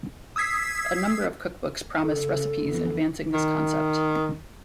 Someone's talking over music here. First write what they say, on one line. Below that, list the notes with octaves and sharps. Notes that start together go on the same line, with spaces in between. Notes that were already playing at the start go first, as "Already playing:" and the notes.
A number of cookbooks promise recipes advancing this concept.
D#6 E6 G#6 B6 C7
C#3 A4
F2 E3 B3
D#3